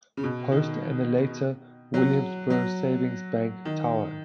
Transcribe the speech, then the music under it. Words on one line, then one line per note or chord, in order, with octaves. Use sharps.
Post, and the later Williamsburgh Savings Bank Tower.
C#3
B2
D#3
F#3
F#3
D#3